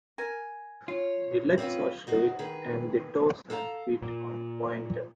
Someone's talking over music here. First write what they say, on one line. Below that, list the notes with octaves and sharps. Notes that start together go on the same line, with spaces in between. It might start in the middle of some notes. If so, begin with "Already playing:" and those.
The legs are straight, and the toes and feet are pointed.
A#4 G#5
F4 C#5
C4 C#4 E4 F4 B4
D#4 F#4 C5
D#3 G#4 B4
A4 F5 G#5 A#5
A#2